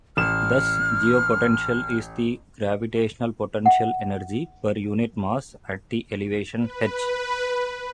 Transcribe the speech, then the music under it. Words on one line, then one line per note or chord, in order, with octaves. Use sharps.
Thus geopotential is the gravitational potential energy per unit mass at that elevation "h".
A1 F6 E7
E5 F#5
B4